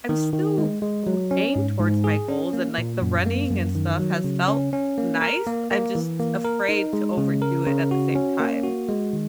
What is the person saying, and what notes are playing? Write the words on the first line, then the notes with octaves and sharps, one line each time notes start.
I'm still w aimed towards my goals and, like, the running and stuff has felt nice. I'm just afraid to overdo it at the same time.
D#3
D#3
G#3
G#3
F#3
C#4
G#2
G#2
G#4
C#4
A#3
A#2
F#2
A#3
F#2
D#3
F#3
C#3
C#4
C#4
A#3
A#4
A#3
A#3
E3
A#3
A#4
D#4
G#3
C#3
A#4
C#3
F#4
C#4
A#3
F#4
G#3
D#3